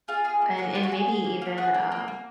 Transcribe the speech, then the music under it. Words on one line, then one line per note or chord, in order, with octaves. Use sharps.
And and maybe even, um,
F4 G#4 F5
G#4
A#3
A#3 F#4 F#5
F4
F#4 F#5
G#4
G#4
A#3
A#3
F#4 G#4 F#5
A#3
A#3
A#3